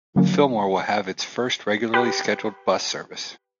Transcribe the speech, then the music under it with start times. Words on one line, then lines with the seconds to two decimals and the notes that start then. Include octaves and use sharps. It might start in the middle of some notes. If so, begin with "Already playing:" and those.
Fillmore will have its first regularly scheduled bus service.
0.16 D3 F#3 A#3 C#4
1.94 G4 B4